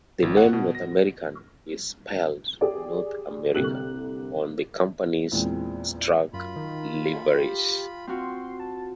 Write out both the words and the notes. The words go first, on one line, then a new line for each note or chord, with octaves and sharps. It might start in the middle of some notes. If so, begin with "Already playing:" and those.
The name North American is spelled "NorthAmerican" on the company's trucks' liveries.
G#1
F#5
B2
A#6
G4 G#4 D5
C2 D3 A#3 G4 F#6 F#7
E2 A#2 G#3 C4
F#2 F4 B5
D#3
G4
C4 F4 F#4 C6
A5